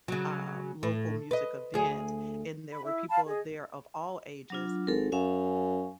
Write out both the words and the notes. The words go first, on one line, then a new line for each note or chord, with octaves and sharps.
um, local music event and there were people of there of all ages.
C#3 F#3
A2
B4 D#5
D2 G#4
B5
E4
F5 A5 B5
G#4 D#5
F#3 D4 F4
G#1 A4 A#4
F#2 C#4 F5 G#5